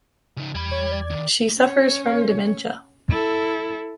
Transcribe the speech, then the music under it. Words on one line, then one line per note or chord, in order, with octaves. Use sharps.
She suffers from dementia.
C#3 D#4
E2 G3 B5 G#6
C#5
D5
D3 D#3
C#4 C#5
E4 A4